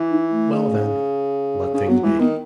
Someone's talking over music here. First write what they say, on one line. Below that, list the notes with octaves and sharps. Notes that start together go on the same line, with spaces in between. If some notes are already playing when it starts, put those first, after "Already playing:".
'Well, then, let things be.'
Already playing: E3
D#4
A3
C#3
C#3 C#4
F#3 B3
E3 G#3
D#3 B3